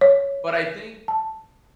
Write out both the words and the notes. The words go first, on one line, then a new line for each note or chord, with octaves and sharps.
But I think
C#5
A5